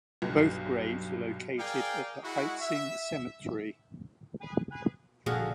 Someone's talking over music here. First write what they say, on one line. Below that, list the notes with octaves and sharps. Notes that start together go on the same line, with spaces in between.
Both graves are located at the Hietzing Cemetery.
B1 G2
G#4 A#4 D5 F5 G5 G#5
G#3 E4 F#4
E5
A#1 A#2 D3 F#4 G#4 A4 F5 F#5